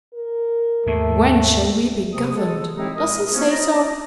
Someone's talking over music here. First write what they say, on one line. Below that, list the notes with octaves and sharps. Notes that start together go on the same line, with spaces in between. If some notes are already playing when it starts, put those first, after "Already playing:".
'When shall we be governed?' Does he say so?
A#4
D#2 G#2 A3
C3 D#6
G#3 A4
A2 G#3 C4 D#4 E4 G4
A#2 G#3 A#4 D#5 D#6
F3 A#3 B3 C#4
C#4 D#4 D5 D#5 A#5 D#6